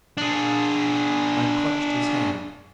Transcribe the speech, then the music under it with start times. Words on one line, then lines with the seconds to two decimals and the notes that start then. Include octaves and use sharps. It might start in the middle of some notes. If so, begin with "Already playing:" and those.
I clutched his hand.
0.17 D4 G#4